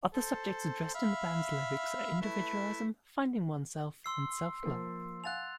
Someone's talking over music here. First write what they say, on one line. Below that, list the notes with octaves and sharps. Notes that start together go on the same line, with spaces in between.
Other subjects addressed in the band's lyrics are individualism, finding oneself and self-love.
A4 C5
E5 F5 B5
A3 E4 B4
C6 E6 C7
F3 A#3
F5 F#5 G#5 F#6 A6 F7